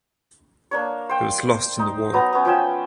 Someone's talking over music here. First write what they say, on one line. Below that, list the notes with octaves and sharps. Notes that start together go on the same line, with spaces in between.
It was lost in the war.
A#3 D4 C#5
C5 G5
D#4
F#3 B3 A#5
B3 C#4
F3 C#4 G5 E6